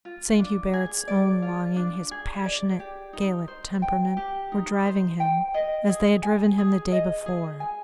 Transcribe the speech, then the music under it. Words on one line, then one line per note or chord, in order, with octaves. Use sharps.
Saint Hubert's own longing, his passionate, Gallic temperament, were driving him as they had driven him the day before.
F4
D4
G#4
D5
F4
D4
G#4
D5
G4
D#4
C5
G5
G4
D#4
C5
G5
D#5
G#4
G#5
G#4
D#5
G#4
G#5